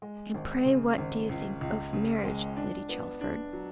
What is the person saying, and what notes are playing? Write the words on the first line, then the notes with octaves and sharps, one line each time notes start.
'And pray what do you think of marriage, Lady Chelford?'
G#3
G#1
C#3
G#1
C#2
C#2
C#3
G#3
D4
B3
D4
F#3